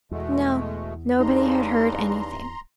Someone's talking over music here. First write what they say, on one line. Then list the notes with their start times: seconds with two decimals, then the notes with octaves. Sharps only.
No, nobody had heard anything.
0.11 E2 B2 G#3 A3
1.20 G2 C#3 D#4 A#5 C6